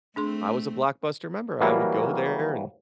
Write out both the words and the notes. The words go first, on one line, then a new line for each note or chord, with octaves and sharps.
I was a Blockbuster member, I would go there, and
A3 C4 D4 G#4 C6
E3 F#3 G3 A#3 A#4